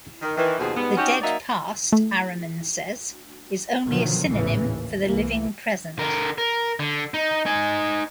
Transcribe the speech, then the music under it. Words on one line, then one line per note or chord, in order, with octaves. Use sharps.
The dead past, Araman says, is only a synonym for "the living present".
D#3
D#3 E3
D#2 B2 F3 D#4 G#4
G#2 G3 B3
C#4 D#4 F#4 G4
F#3 A#3 D#4 D5 E5
A3
B2 D3 D#3 F3 F#3
A1 E2 A#2 C#3 E3
D#2
C2 E3 A#3
D3 A#4
A#4
D3
D#4
D#4 G#5